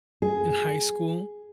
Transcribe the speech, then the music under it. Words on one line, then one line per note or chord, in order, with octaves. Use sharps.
in high school,
G#4